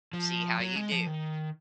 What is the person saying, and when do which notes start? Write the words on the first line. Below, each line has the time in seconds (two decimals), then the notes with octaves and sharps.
See how you do.
0.13 F3
0.60 F#3
0.76 G#3
0.92 F3
1.07 D#3